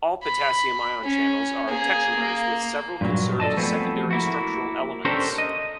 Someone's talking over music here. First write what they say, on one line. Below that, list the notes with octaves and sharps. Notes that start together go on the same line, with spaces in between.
All potassium ion channels are tetramers with several conserved secondary structural elements.
B5
C#4
A#3 G#4
A#3
G2 A#2 D3 F#3
A4 D5 D#5 A5
F3 A3 B3 C4 F#4 G#4
A#3 E4 F#4
C#4 D4 G4 A4 A#4 C5
D#5